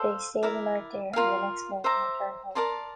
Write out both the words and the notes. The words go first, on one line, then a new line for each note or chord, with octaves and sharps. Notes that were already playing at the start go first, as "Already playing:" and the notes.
They stay the night there and the next morning return home.
Already playing: A4 C5 F5
E4 A#4 D5
F4 A#4 F5
C5 E5 A#5 D6
A#4 D5 A5 C6